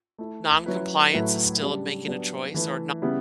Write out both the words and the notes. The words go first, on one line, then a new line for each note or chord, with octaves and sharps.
"Non-compliance is still making a choice," or
A3 E4 A4
F#3 C#4 E4 B4
A2 F#3 A3 E4 B4
C#3 G3 D4
F#3 B3 D4 G4 B4
E3 A3 E4 B4
C#3 G3 B3 E4